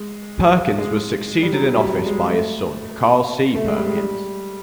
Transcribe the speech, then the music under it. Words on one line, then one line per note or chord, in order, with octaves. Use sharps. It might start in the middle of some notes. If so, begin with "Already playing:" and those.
Perkins was succeeded in office by his son, Carl C. Perkins.
Already playing: G#3
G#3
G3
F#3
F#3
G3
G#3
A3
A3
G#3
G3
G#3
G3